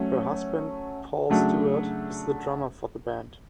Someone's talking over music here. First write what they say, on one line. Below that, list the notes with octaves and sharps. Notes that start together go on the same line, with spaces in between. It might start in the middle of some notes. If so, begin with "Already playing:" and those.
Her husband Paul Stewart is the drummer for the band.
Already playing: F#3 A3 C#4
C#3 F#3 A3 D4